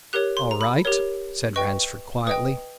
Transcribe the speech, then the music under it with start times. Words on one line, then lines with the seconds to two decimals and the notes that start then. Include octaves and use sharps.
"All right," said Ransford quietly.
0.13 G4 A#4 C#5 F#6
0.37 C6
0.51 A#5
0.61 B5
0.85 G4 A#4 C#5
1.56 B4 D#5 G5 C#6
2.27 B4 D#5 G5 D#6